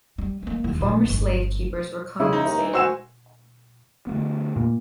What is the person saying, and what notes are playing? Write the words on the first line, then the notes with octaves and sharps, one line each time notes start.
The former slave keepers were compensated.
G3
G#3 A#3
D#2 E4
A#1
G1
C#3 G#3 E4 D#6
D#4
D#2 A#5
E3
F#4 C5 F#5 G#5 E6 E7
D3 A3 B3
A#2